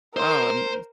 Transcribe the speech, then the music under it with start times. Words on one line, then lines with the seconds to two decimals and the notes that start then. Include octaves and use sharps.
Oh n
0.17 A#4 C5 C6